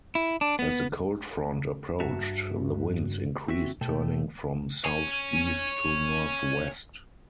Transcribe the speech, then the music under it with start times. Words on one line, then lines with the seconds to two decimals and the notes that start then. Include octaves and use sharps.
As the cold front approached, the winds increased turning from southeast to northwest.
0.15 E4
0.41 D4
0.59 B3
2.00 G2 F#4 E5 A5 A#5
3.48 C4 F#4 E5
3.81 B2 A3 G5 A5
4.84 C#5 G#5